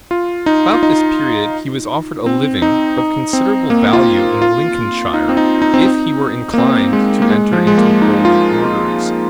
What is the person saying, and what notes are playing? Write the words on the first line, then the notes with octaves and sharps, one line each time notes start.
About this period he was offered a living of considerable value in Lincolnshire, if he were inclined to enter into holy orders.
F4
D#4
F4
D#4
C4
D#4
D#4
C4
A#3
F4
F4
D#4
C4
D#4
D#4
C4
D#4
A#3
C4
G#3
A#3
G#3
F3
G#3
A#3
D#4
F4